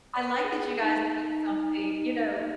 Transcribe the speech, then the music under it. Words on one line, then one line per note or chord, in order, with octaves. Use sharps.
I like that you guys took something You know,
D5
B4
G#4
D#4